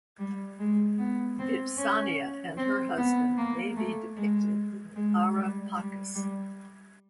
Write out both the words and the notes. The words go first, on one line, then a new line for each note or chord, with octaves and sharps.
Vipsania and her husband may be depicted in the Ara Pacis.
G3
G#3
B3
C4
C#4
C4
B3
A#3
A3
G#3
G#3
G3
G3
G3